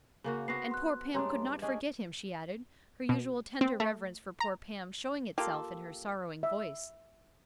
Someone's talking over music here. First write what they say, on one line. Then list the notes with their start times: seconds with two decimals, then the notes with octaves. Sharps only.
"And poor Pam could not forget him," she added, her usual tender reverence for poor Pam showing itself in her sorrowing voice.
0.24 C#3 A#3 F#4
0.48 B3 C4 F#4 A#6 C7
0.71 C6 F#6
1.14 G2 G#3 D4 C#5 A#5 C6
1.62 C#4 D4 G#4 D#5
3.09 B2
3.61 C4
3.80 A3
4.40 A#5
5.38 A#3 F4 G4 A4
6.43 E5